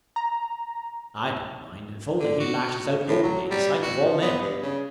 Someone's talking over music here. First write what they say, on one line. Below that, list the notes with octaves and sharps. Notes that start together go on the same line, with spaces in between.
"I don't mind if only he lashes out openly in the sight of all men."
A#5
D3
F#4
A2
F#3
G3
F#4
F3
B3
G2
C#3